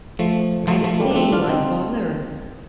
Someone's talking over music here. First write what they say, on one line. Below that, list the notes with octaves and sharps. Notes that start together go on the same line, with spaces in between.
I say, why bother?
F3 A3
F3 A3
F3 A3
G3 A#3
D4
A3 C4
D4 F4
C4 D#4